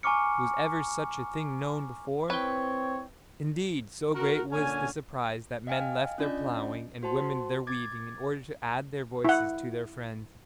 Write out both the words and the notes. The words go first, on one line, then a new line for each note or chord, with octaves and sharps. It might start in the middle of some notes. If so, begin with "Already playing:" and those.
Was ever such a thing known before!' Indeed, so great was the surprise that men left their ploughing and women their weaving in order to add their voices to their friends'.
G#5 A#5 C#6 D6 F6 C#7
C4 E4 B4 C#5 G5
F#4 A#4
A#2 D3 C#4 G#5
D#5 F5 G5 G#5 F6
C#4 D4 F4 D5 D#5 G6
F#4 C5 A5 C6
D6 G#6 A6
E4 F#5